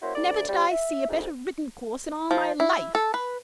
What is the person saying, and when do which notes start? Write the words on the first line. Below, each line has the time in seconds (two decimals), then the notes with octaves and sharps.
Never did I see a better ridden course in all my life.
0.02 A#3 C#4 E4 F#4 C5
0.15 D2 D5
0.48 C3 G3
0.71 E5
1.08 D2 G#2
2.31 F3
2.60 E4
2.95 A4
3.14 B4